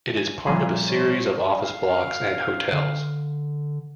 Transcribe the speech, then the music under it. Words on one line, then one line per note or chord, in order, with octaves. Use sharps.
It is part of a series of office blocks and hotels.
G#5
A#2 F3 G3 C4 F4 G#4 E5
C5 C#5
F5
D3